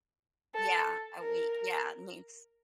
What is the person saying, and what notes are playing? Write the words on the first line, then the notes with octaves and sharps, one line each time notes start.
Yeah, a week, yeah. It means
A4
A#4